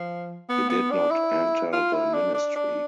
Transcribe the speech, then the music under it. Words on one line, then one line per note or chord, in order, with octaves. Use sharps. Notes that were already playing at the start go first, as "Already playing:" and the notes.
He did not enter the ministry.
Already playing: F3
B3
B3
D4
E4
F4
E4
D4
D4
D4